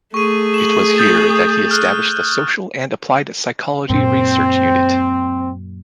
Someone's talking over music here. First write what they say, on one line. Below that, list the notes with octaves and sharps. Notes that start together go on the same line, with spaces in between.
It was here that he established the Social and Applied Psychology Research Unit.
A3 G#4 C#6 D#7
E7 F#7
D#6 G6 A6
F6 F#6
F#2 A#2 C4